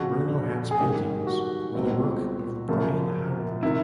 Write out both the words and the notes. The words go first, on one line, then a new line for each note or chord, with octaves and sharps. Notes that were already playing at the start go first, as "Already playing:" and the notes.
Bruno Hat's paintings were the work of Brian Howard.
Already playing: F2 C#3 F3 F#4
G#4
G#2 D#3 G3 A#3 C#4 G4
F#4
C#2 B2 G3 C4
F#2 C#3 F3 A#3
C3 D#3 E4